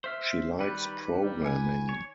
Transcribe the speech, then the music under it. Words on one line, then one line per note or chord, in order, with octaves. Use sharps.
She likes programming.
C5 E5 F6
D#3 G3 B4
G3
G#5
C#5